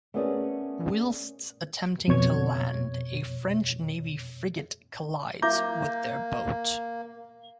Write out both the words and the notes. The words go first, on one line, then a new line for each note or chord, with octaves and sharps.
Whilst attempting to land, a French navy frigate collides with their boat.
A3 B3 C#4 G#4 A#4 D5
F2 B2 C#5 G#6
A#3 E4 E5 A#5 D6 G6